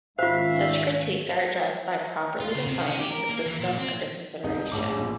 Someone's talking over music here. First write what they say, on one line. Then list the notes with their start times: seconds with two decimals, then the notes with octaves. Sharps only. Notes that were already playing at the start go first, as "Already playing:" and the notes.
Such critiques are addressed by properly defining the system under consideration.
0.19 G#2 D#3 C#4 F4 C5 E5 F5
2.40 F4
2.55 C#3
2.67 C3
2.80 C#4
2.99 G4
3.11 A#4
3.30 A#3
3.46 E3
3.60 A#2
3.77 C4
4.44 C2 D#4
4.72 A#1 A2 D6
4.97 A1 A#2 F3